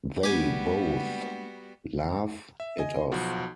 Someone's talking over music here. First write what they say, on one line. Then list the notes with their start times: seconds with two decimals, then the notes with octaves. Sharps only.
They both laugh it off.
0.23 G3 G#3 A#3 B3 D4 F#4 G4 G#5
2.60 E5
2.79 D#5 G#5
3.12 B1 F3 F#4